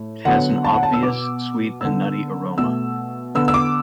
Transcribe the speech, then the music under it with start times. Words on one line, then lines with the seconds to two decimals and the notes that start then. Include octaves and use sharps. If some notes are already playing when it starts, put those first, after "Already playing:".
It has an obvious sweet and nutty aroma.
Already playing: A2
0.25 D3 F#3 B3 F#5
0.64 A5
0.74 F#5
0.83 A5
0.94 E6
1.03 B2 B3 D6
1.80 D3 B3 E6
2.58 B2 A3 E6
3.35 D3 B3 E6
3.48 E6
3.54 D6